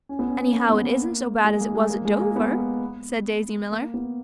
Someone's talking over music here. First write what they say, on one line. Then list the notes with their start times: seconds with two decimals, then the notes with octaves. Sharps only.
"Anyhow, it isn't so bad as it was at Dover," said Daisy Miller.
0.09 C#4
0.19 B3
0.28 C#4
0.54 A#3
0.69 B3
0.84 A#3
1.45 G#3
1.60 A#3
1.75 G#3
1.90 A#3
2.05 G#3
2.20 A#3
2.36 B3
3.71 A#3
3.94 B3